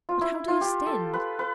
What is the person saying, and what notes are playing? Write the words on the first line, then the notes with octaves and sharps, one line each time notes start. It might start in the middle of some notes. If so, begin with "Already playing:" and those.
'But how do you stand?
F4
E4
F4
G4
A4
B4
B4